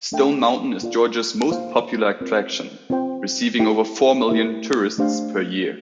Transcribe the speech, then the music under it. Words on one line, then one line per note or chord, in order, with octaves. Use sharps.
Stone Mountain is Georgia's "most popular attraction"; receiving over four million tourists per year.
A3 D4 A4 E5 G5
A#3 F4 A4 D5 F5
A#3 F4 C5 F5
C4 F4 A#4
C4 F4 C5 G5
E4 G4 C5 E5 G5
A3 E4 G4 A#4 E5
A3 D4 G4 C5 F5